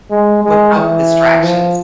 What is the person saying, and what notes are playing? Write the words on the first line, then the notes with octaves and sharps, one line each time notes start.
without the distractions.
G#3
G#3
E3
F3